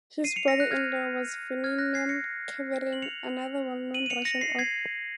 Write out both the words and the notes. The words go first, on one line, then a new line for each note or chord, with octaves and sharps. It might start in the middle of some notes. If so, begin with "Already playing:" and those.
His brother-in-law was Veniamin Kaverin, another well-known Russian author.
C7 D#7
C#7 F7
A#6 C#7
F#6
F6 G#6
F6 G#6
F#6 A#6
G#6 C7
A#6 C#7
F#7
C#7 F7
D#7 F#7
D#7
C#7 F7
A#6 C#7
C7
C#7
G#6 C7